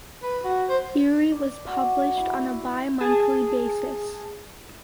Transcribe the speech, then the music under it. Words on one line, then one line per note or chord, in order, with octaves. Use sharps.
"Eerie" was published on a bi-monthly basis.
B4
F#4
C5
D5
F#4
E4
G#4 A5